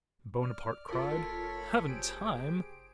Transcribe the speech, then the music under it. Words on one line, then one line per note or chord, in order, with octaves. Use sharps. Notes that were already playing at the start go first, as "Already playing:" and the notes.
Bonaparte cried, 'Haven't time?
D5 F6
F1 F4 A4 A#4 C#5 B5
G4 G#4 C5 D7